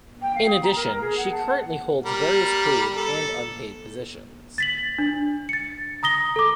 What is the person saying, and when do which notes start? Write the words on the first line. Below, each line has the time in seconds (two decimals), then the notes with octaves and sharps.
In addition, she currently holds various paid and unpaid positions.
0.22 G5
0.35 F5
0.47 D#6
0.62 A#5
0.76 A#4
0.88 A#4
1.01 G#4
1.17 F#5
1.31 A5
1.49 F#5
2.06 G3 A#4
2.96 A4
4.58 A6 B6 F#7
4.99 D4
5.49 A6 C#7
6.03 A#5 D#6 A#6 G7
6.36 A4 D6